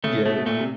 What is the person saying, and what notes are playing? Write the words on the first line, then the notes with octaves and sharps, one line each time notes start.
Yeah, th
C#3 A3
B2 A3
B2
A#2 A3
C3